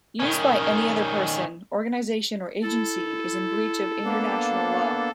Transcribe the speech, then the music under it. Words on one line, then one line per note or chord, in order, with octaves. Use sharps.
Use by any other person, organisation or agency is in breach of international law.
D#3 C#4
E4 A4
A#3 B3 D4 F5